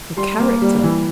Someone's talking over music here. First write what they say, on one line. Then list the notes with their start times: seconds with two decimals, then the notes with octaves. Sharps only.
'Her character!
0.17 G3 C6
0.40 A#3
0.62 G3
0.84 E3